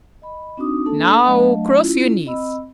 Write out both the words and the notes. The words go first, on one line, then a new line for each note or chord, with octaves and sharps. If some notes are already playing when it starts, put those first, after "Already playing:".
"Now cross your knees."
D#5 B5
C4 D4 D#4 F#4 D6 D#6
A#3 D4 A4 A5
F#3 A3 D4 D#5 F5 A5
C#4 E4 F4
C4 D#5 B5 E6